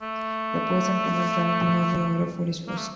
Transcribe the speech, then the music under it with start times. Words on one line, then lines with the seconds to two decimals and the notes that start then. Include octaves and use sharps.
The person cannot join the army or a police force.
0.02 A3
2.68 A#3
2.78 A3